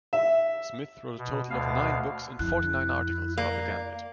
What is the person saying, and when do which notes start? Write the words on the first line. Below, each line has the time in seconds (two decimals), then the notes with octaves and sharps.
Smith wrote a total of nine books and forty-nine articles about the gambit.
0.13 E5
1.18 B2
1.50 D2 B2 F5
2.39 F2 E4 F#6
3.38 A#3 D5